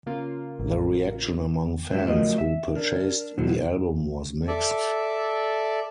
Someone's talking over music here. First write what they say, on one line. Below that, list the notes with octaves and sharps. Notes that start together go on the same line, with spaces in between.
The reaction among fans who purchased the album was mixed.
C#3 A#3 F4
A1
G#2 F#3 C5 E5
F3 F#3 A3 F4 A#4 D#5
E5
D4 A#4
B2 D3 F#3 E4 F#4 C5
A4 D5 E5